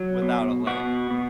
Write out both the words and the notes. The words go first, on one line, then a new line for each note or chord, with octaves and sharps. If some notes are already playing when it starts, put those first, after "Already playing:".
without a leg.
Already playing: F#3
B2
B2 F#4
B2